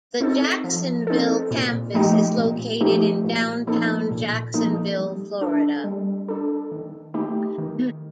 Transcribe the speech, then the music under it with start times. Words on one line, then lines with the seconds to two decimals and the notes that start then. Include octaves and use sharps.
The Jacksonville campus is located in downtown Jacksonville, Florida.
0.21 C4 D#4 A4
0.64 F3
1.07 C4 D#4 A4
1.51 A#2
1.94 F3 A3 D#4 G4
2.38 A#2
2.81 F3 A3 D#4 G4
3.24 A#2
3.67 F3 A#3 D#4 A4
4.11 A#2
4.54 F3 A#3 D#4 A4
4.98 G3
5.41 D4 A4
5.84 G3
6.29 D4 A4
6.71 D#3
7.14 A3 D#4 G4
7.58 D#3